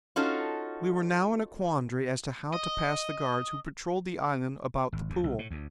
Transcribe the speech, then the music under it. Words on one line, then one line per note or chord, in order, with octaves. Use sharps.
We were now in a quandary as to how to pass the guards who patrolled the island about the pool.
C#4 D#4 F4 F#4 A4
D#5
G#1
D#2
C2
A2
D2